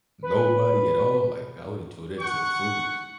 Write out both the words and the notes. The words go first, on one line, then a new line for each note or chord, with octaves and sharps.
Nobody at all, like I would enjoy that to the fullest.
B4
F#5 C#6